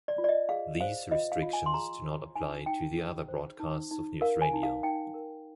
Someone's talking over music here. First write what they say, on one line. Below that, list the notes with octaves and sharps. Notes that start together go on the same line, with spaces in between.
These restrictions do not apply to the other broadcasts of Newsradio.
D5
F4
D5
D#5
G#4 F5
C5 F5
F4 D#5
F5
F4
G#5
C6
G#4 A#5
C5
D#4 G#5
D#4 G5
G#4
C5
D#4
D#4
A#4 F5
G#5
D#4
F5
D#4 G5
A#4